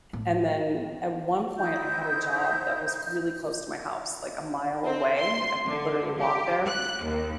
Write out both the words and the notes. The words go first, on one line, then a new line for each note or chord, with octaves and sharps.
and then, at one point, I had a job that was really close to my house, like, a mile away- I could literally walk there-
A2
D#4 E4 C5 G6
C4
C6
D3
G4
F#6
D#2